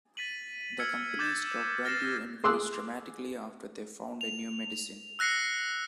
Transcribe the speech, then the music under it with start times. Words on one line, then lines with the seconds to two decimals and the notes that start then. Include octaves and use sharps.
The company's stock value increased dramatically after they found a new medicine.
0.17 A6 B6 D#7 F#7
0.79 E6 F6 G#6 C#7 F#7
1.19 D6 G6 A6 E7
1.85 F6 A6 A#6 C7 C#7 E7
2.44 G#4 C6 D6 E6 F#6
4.21 F7
5.19 E6 F#6 A#6 C7 C#7